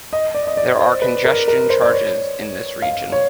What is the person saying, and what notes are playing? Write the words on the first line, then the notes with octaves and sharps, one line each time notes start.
There are congestion charges in this region.
D#5
D5
D#5
D5
C5
B4
A#4
A#4
C5
D5
C#5
F5
C#5